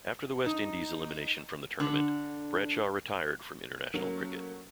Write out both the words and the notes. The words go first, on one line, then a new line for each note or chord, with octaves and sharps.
After the West Indies' elimination from the tournament, Bradshaw retired from international cricket.
D#4
D3
F#3 A3 A#3 C#4